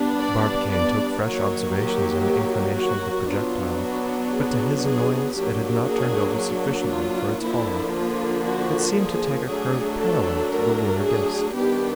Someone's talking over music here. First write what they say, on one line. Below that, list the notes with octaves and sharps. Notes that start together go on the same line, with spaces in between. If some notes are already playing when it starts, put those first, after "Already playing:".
Barbicane took fresh observations on the inclination of the projectile, but to his annoyance it had not turned over sufficiently for its fall; it seemed to take a curve parallel to the lunar disc.
Already playing: G3 B3 D4
D5
D5
D#3 F#3 A#3 C#5
G4
F#4
F#3 B3 D4 F4
F#4
G#4
G#4
F#3 A#3 D4 G4
G#4
F4
D3 F3 A#3 D4 E4
F4
F#4
G#4
F#3 A3 D4 G#4
A4
A#4
G#4
D#3 G3 B3 D4 G4